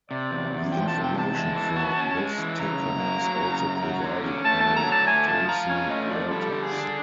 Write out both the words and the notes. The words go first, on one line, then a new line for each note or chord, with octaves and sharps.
The information for this ticker is also provided by Thomson Reuters.
C3 D5
E2
E2
F3 G5
A5
C3
G5
E2 A5
G#3
E3
F#4
C#4
G#3
E3
C#3 A#5
F#2
A#3
F#3
C#3
F#2
F#3
D3
C#4
A3 A5
F#3 A5
A#5
D3
A5
A3 G#5
F3 A5
F4 A#5
C#4 G#5
A3 D#5
F3 D5
G3 A4
D3
G#4
D4